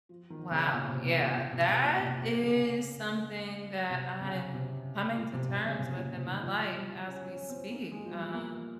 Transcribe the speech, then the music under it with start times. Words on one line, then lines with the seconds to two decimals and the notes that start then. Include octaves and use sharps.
Wow, yeah, that is something that I'm coming to terms with in my life as we speak, um
0.09 F3
0.30 D#3
0.51 C#3
0.73 A#2
0.88 C3
1.05 C3
1.21 A#2
1.36 A#2
1.53 C3
1.68 C3
1.84 A#2
2.00 C3
2.21 C3
2.43 C#3
3.90 C3
4.21 C#3
4.54 C3
5.17 A#2
5.33 C3
5.49 C3
5.65 C#3
5.80 C3
5.96 A#2
6.13 C3
6.27 D#3
6.43 F3
6.75 G3
7.07 C#4
7.28 C#4
7.49 C4
7.71 A#3
7.92 G#3
8.05 F3
8.12 G3
8.34 A#3